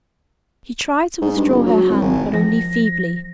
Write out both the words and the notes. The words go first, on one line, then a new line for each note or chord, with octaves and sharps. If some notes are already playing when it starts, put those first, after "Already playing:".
She tried to withdraw her hand, but only feebly.
G#2
G2
F#1
F#3
C2
G#1
F3 A#6